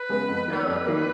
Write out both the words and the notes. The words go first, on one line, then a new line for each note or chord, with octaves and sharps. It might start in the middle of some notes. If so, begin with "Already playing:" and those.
Oh, okay.
Already playing: B4
C#3 G#3 B3
F2
D#3 A#3
C#5
F2 B4
D#3 A#3